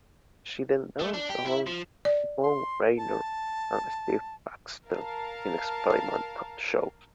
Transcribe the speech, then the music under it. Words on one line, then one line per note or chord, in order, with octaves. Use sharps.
She then dances along Yvonne Rainer and Steve Paxton, in experimental shows.
A3
D4
G4
E4
F3
D5
C6
A5
A#4 F5 A5